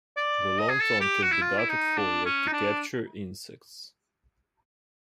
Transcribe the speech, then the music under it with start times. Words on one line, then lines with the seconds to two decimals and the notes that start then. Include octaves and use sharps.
The long tongue can be darted forward to capture insects.
0.17 D5
0.59 D#5
0.69 G#4
0.80 A4
1.00 G4
1.22 F#4
1.32 E4
1.42 F4
1.58 E4
1.69 D#4
1.97 D4
2.25 C#4
2.47 D#4
2.52 D4